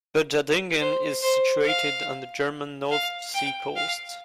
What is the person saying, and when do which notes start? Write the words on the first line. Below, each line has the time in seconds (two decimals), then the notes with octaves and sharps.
Butjadingen is situated on the German North Sea coast.
0.80 C5
1.23 C5
1.64 F5
2.91 F5
3.34 G5
3.76 F5